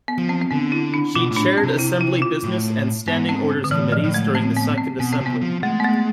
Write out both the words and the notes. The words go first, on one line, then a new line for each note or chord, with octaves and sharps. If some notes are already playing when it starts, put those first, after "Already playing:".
She chaired Assembly Business and Standing Orders Committees during the Second Assembly.
B3
F3
C4
C4
D3 B3
E4
D4
B2 F4
A2
D4
C4
C3
E4
E4
F4
A2
G#2 B3
C4
D3
A2 E3
F3
A2
G#3
C4
B3
C4
B2 B3
C4
C3
B3
F3
G#3 A3
B3
A3